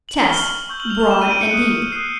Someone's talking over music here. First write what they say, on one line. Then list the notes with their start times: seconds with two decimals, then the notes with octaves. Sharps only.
CHEST--Broad and deep.
0.09 F#7
0.28 C#6 F6 G7
0.42 F#7
0.56 F#7
0.69 C#6 E6 G6
0.80 F#7
0.90 F7
1.01 F7
1.11 C#6 E6 G6 E7
1.22 D#7
1.31 D7
1.41 C#7
1.51 D#6 F#6
1.92 D#6 F#6 C7